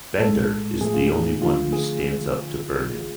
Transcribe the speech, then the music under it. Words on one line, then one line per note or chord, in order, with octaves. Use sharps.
Bender is the only one who stands up to Vernon.
A2 G#3 A4
A2 F3 A3 G#4
F4
G#4
D3 F3 A3 F4
G#4